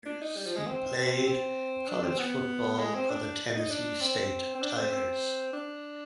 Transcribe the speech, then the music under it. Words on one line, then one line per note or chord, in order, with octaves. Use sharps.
He played college football for the Tennessee State Tigers.
D4
D#4
G3
F3
G#3
C4
C4
D4
C4
B3
G#3
C4
D4
D#4
D4
C4
C4
D4
C4
C4
D4